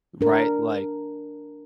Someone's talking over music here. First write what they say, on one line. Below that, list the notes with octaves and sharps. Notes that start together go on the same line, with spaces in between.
Right? Like
D4 A#4